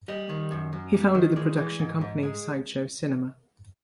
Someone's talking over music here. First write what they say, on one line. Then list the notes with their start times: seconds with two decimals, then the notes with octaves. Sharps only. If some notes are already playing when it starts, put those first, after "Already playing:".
He founded the production company Sideshow Cinema.
0.08 G3 D#5
0.29 D#3
0.51 F#2
0.73 F#2
0.94 G3
1.15 D#3
1.36 G#3 D5
1.58 E3
1.79 G#2
2.01 G#2
2.23 G#3